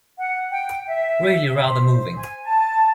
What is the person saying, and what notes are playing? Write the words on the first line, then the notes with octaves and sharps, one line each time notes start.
Really rather moving.
F#5
G5
E5
C5
G#5
A5